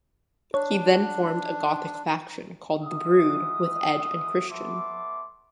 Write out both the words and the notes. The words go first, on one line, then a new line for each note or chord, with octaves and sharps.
He then formed a gothic faction, called The Brood, with Edge and Christian.
D4 C#5
G#3 F#4 E5 D#6
B3 A4 D5 E5 C6 D6